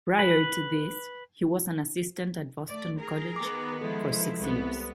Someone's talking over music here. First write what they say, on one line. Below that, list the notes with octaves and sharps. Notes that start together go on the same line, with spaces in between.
Prior to this he was an assistant at Boston College for six years.
B4
A3 D5
G#4 A#4
D#3 B3 D6
F3 G#3 E4 A4
C2 B3